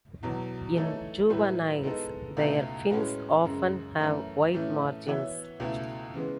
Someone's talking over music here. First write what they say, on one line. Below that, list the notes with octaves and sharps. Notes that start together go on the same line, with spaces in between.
In juveniles, their fins often have white margins.
E2 B2 F#3
E3 A3 D#4 A4 C#5
A2 F#3 A3 E4 B4
G#3 B3 D#4 A4
C#2 B2 A3 D#4
A2 G#3 C#4 F#4 B4
F#2 C#3 G#3
F#2 E3 A3 C#4
A2 E3 A3 C#4
E3 B3 F#4 C#5 E5
C#2 B2 A3 E4
C#3 E3 G#3 B3